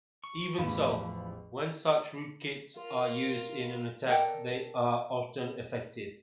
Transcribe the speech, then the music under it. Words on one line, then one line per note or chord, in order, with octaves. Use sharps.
Even so, when such rootkits are used in an attack, they are often effective.
C#6
A1 E2 E3 F3 B4 F5 B5
F4 A#4
A4 A#4 D5 G5